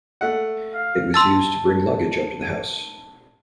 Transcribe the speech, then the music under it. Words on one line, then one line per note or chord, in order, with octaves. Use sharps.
It was used to bring luggage up to the house.
A3 F#5
F5
A5 C6 E6 A6